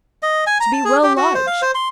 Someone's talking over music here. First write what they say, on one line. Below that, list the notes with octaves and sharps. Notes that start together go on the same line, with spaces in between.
To be well lodged!
D#5
G#5
A#5
A5
G#4
G4
F#4
C5
F5
C5
C6